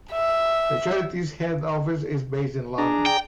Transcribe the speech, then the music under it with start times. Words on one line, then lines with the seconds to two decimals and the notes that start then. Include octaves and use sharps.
The charity's head office is based in London.
0.12 E5
2.78 D4 G#4 D5 A#5
3.06 G5